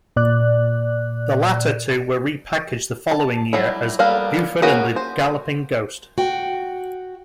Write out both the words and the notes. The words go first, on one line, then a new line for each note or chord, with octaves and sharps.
The latter two were repackaged the following year as "Buford and the Galloping Ghost".
A#2 D5 F#6
A5
F#3 G3 E4
G3 A#3 B3 A4 F5
A#3 B3 C#4 F#4 G#4
C5
F#4 G5